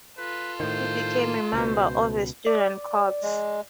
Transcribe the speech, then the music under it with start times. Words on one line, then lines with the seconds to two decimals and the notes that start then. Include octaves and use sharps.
He became a member of a Student Corps.
0.17 F4 A4 B4
0.60 A2 D#3 C5
1.53 C#2 B2 C5
2.46 D5
3.23 G#3